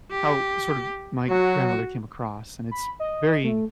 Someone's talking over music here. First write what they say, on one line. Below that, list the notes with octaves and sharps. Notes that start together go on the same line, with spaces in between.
how, sort of, my grandmother came across, and it's very
G4
F#3 F#4
B5
D#5
A3